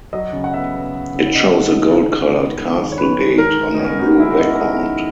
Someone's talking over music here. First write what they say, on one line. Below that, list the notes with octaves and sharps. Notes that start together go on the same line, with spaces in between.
It shows a gold-colored castle gate on a blue background.
F#3 D#5
C#3
F#5
B3 E5
B3
B3
C#3
C#5
C#3 D#5
C#3
G#3
D#3
B3
D#3
G#3
D#3
C#5
D#3 B4
G#3
D#3 A#4
D#3
D#4
B3 C#4
B3 D#4
G#3 E4
F#4
B3 D#5
E5
D#3 D#5
D#3